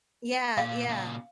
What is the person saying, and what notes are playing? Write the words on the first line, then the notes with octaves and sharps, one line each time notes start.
Yeah, yeah,
A#2 F5
A#2 C#3